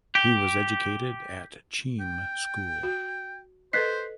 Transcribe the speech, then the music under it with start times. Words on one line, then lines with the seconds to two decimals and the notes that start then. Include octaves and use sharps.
He was educated at Cheam School.
0.15 G4
2.00 G5
2.83 F#4
3.73 A4 B4 C5 D#5 F#6 B6 C7